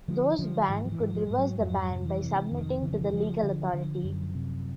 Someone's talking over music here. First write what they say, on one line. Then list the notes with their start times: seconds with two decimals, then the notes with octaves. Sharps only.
Those banned could reverse the ban by submitting to the legal authority.
0.08 D3 F3
0.39 D3 F3
0.68 G#2 E3
0.85 F3
0.92 E3
1.00 G#2
1.15 F3
1.27 G#2 G3
1.38 F#3
1.60 F2 F#3
1.91 C3
2.06 E3
2.21 C3
2.51 F2 D#3
2.82 C#3 E3
2.93 F3
3.01 E3
3.13 C#3 F3
3.43 D3
3.73 D3
4.04 F#2
4.35 C3